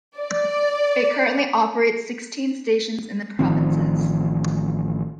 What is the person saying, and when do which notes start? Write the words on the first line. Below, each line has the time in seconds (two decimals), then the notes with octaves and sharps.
It currently operates sixteen stations in the provinces.
0.18 D5
3.39 A1 D#3 F3 C4